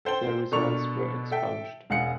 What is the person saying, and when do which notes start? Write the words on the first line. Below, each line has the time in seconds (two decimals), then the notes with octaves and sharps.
Their results were expunged.
0.05 A4 C5 G5 G7
0.52 B2 D4 A4 A#4 C#6 F7
1.31 A4 E5 G5
1.90 E1 G#3 F5 F#5 F#6 C#7